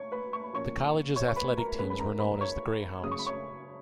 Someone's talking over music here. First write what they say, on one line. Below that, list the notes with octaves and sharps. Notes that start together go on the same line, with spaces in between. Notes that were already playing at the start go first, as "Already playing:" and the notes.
The college's athletic teams were known as the Greyhounds.
Already playing: C#5 C#6
B4 B5
C#6
B5
A#2 F3 A#3 C#4 C#5 C#6
C#5 C#6
C#6
B4 B5
A#4 A#5
G#2 D#3 G#3 C#4 B4 B5
B5
A#4 A#5
B4 B5
C#5 C#6
F#2 C#3 G#3 D#6
C#6
B5
C#5 C#6